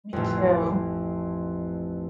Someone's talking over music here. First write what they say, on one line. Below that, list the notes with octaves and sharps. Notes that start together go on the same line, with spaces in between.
Me too.
A1 F2